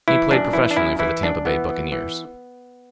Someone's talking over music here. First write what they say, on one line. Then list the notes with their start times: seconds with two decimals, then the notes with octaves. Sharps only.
He played professionally for the Tampa Bay Buccaneers.
0.08 E3 E4
0.31 F#2 D4
0.53 E3 E4
0.71 D4
0.76 F#2 E4
0.99 E3 E4
1.22 F#2 D4
1.45 E3 B3
1.69 E3
1.92 E3